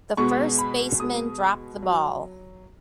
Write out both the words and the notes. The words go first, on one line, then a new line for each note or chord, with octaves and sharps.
The first baseman dropped the ball.
B2 G#3 B3 C#6
B5
B2 G#3 B3 D#6
F#3